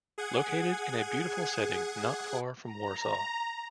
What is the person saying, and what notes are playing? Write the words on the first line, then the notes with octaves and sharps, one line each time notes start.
Located in a beautiful setting not far from Warsaw.
G#4 F#5 G#6
A#5